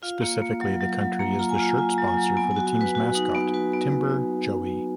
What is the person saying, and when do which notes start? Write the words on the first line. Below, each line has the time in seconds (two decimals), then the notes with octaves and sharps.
Specifically, the company is the shirt sponsor for the team's mascot, "Timber Joey".
0.03 F4 F5
0.22 A#3
0.42 A#3
0.61 F#3
0.81 F#3
1.01 F#3
1.19 A#3 A#5
1.39 F4 A#5
1.49 G#5
1.59 F4
1.78 F4 G#5
1.93 F#3 A#5
2.08 G#5
2.17 F#3 A#5
2.37 B3 G#5
2.51 G#5
2.56 F#4
2.66 G#5
2.75 F#4
2.81 B4
2.95 F#4
3.15 D#4
3.35 B3
3.54 F#4 B4
3.74 B3